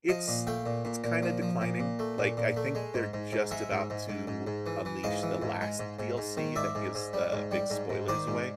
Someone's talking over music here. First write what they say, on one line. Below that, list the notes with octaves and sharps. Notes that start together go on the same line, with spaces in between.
It's it's kinda declining, like, I think they're just about to unleash the last DLC that gives the big spoilers away,
F3 D#5 F5
A#2
A3 F5 G5
A#2
A#2
A#2
F3
F3
A#2
A#2
A3
A#2
A#2
A3
G#3
G#2
G#2
G#2
G#3 E5 F#5
G#2
G#2
G#2
G#2
G#2
E3
E3
G#2 D#5 F5
E3
G#2
G#3
G#2
G#2
G#2
D#3
G#2 D5 E5
G#2
G#2
G3
G#2
G3
G#2
G#2
D#3 C5 D5
G#2